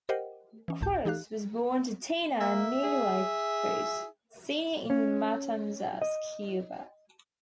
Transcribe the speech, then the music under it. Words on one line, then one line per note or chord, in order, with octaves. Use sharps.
Cruz was born to Tina and Nilo Cruz, Senior in Matanzas, Cuba.
G4 A#4 C5 D#5 F#5 G5
E3 C#4
G#1 C#2 A2 A5 G6
E3 D#4 G4 F5 F#6
A#3 E5
G#4
C#4
D#5